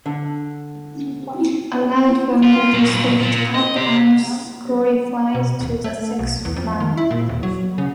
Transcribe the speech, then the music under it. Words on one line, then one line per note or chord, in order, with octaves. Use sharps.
Arad won the district cup and qualified to the sixth round.
D3
F4
A#2 F#3
A#2
D#5
G4 C5
B2
D#1
A3
B1
E2
F2
D#3
E4
A#2
D#1
F#3
C#3